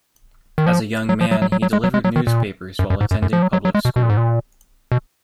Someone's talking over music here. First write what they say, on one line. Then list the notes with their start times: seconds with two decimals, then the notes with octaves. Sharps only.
As a young man, he delivered newspapers while attending public school.
0.58 D#3
0.67 F3
1.09 F#3
1.21 F3
1.31 F#3
1.42 F#3
1.52 F#3
1.62 F#3
1.73 G#3
1.84 F#3
1.94 G#3
2.04 F#3
2.16 D#3
2.27 A#2
2.79 F#2
2.90 F#2
3.01 G#2
3.11 F#2
3.22 F#2
3.33 F3
3.43 F#3
3.53 F#3
3.65 F#3
3.75 G#3
3.85 B2
3.96 B2
4.03 A#2
4.10 G#2
4.17 A#2
4.92 B2